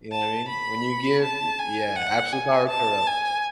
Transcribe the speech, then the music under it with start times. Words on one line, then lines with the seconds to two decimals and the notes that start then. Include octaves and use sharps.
You know what I mean? When you give yeah, absolute power corrupts.
0.12 A5
0.49 B5
1.23 A5
1.59 G#5
1.96 F#5
2.32 G#5
2.70 A5
3.06 G#5